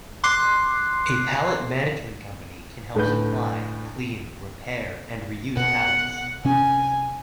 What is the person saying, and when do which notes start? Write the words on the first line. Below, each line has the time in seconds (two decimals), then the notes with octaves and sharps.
A pallet management company can help supply, clean, repair, and reuse pallets.
0.24 C6 D6 F#6 C7
2.95 D2 A2 D3 B4 G6
5.57 B2 F#5
6.45 C3 C#4 G#5